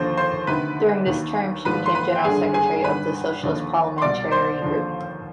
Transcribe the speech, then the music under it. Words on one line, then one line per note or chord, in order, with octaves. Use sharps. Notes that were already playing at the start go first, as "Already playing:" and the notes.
During this term she became general secretary of the Socialist parliamentary group.
Already playing: D#2 D3 F3 C5
C5 C6
D2 C3 D#3 B4 B5
D#2 D#3
G#1 G#2 F3 B4 B5
C6
B4 B5
G5
G#1 G2 D3 G#4 G#5
G#4 G#5
G#1 G2 D#3 B4 B5
D#2 D3 F3
C6
C2 B2 D5 D6
C5 C6
D#2 D3 F3